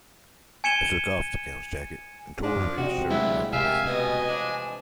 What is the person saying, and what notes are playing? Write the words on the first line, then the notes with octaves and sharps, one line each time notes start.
I took off the Count's jacket and tore away his shirt and undervest.
G#5 G#6 C#7 D#7 E7 G7
F3 D4
C3 C4 F#4 D#5
G2 A#2 F#3 G#3 A3 E4
C3 G3 G4 A#4 E5 F5 G5 G#5
B2 B4 D#5
E3 F3 D4